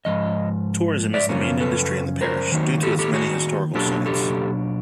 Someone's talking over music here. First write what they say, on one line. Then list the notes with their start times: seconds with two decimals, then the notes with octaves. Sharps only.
Tourism is the main industry in the parish, due to its many historical sites.
0.05 G#2 F3 D#5
1.14 D5 E5
1.29 F#2 C#3 F3 A#3 C#4
1.60 A4 B4
2.21 A#4 C5
2.52 D#3 F#3 A#3 D#4
2.83 G4 A4
2.99 G4 A4
3.14 F#4 G#4
3.75 B2 F#3 A#3 D4 G4 A4
4.06 G4 A4